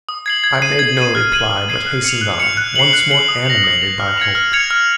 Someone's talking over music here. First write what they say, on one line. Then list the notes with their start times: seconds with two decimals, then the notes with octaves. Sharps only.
I made no reply, but hastened on, once more animated by hope.
0.09 D#6
0.26 G#6 C7 F#7
0.44 G#6
0.62 C7 D#7
0.79 G#6
0.97 C7 D#7
1.15 F6
1.32 G#6 C7 D#7 F#7
1.51 F6
1.68 G#6 C7 D#7 F#7
1.86 F#6
2.04 C#7 F7
2.21 F#6
2.40 C#7 F7
2.57 F#6
2.76 C7 F#7
2.93 F#6
3.11 C7 F#7
3.29 D#6
3.46 A#6 F7
3.64 D#6
3.82 A#6 F7
4.00 F6
4.18 G#6 C#7 F7
4.35 F6
4.53 G#6 C#7 F7
4.70 F6